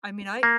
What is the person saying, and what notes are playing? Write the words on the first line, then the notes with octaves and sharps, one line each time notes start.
I mean, I
A#3